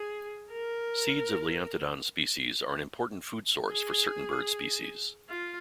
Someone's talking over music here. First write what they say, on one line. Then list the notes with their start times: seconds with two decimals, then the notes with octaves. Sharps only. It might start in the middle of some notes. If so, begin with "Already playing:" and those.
Seeds of "Leontodon" species are an important food source for certain bird species.
Already playing: G#4
0.52 A#4
3.70 G#4
5.29 F4